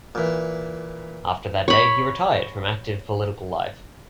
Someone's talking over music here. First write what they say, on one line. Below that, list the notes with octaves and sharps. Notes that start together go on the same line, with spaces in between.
After that date he retired from active political life.
A#2 E3
C#5 B5